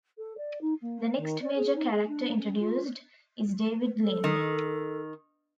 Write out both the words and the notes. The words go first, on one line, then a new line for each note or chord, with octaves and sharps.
The next major character introduced is David Lind.
A4
D5
D#4
A#3
D#3
D5
G#4
D#4
G#4
D4
C#4
F4
A4
D#3